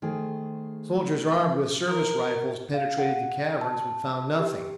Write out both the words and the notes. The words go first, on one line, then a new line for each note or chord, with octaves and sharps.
Soldiers armed with service rifles penetrated the caverns, but found nothing.
D#3 A3 G#4 C5
A#4
F5
F#5
A5
G4